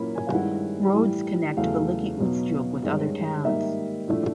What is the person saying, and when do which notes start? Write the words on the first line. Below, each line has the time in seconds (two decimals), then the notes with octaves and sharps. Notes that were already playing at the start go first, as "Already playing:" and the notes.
Roads connect Veliky Ustyug with other towns.
Already playing: A#2 F#3 A#3 C#4 E4 B5
0.15 G#5
0.27 F5
0.31 G2 D#3 G#3 C#4 E4 F#5
0.94 A2 E3 G3
1.57 E2 C#3 F#3 A3 F5
2.20 B2 F#3 B3 D#4
2.82 G2 D#3 G#3 C#4
3.45 G#2 D#3 G3 A#3 D#4 E5
4.08 A2 F3 A3 D4